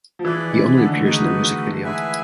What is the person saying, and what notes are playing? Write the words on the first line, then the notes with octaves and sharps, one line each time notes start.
He only appears in the music video.
F3
E3 E4 G#4 B4 D5
D#3
D3
A3
G#3 D#4 F#4 B4 D#5
E4 G#4 B4 E5 G#5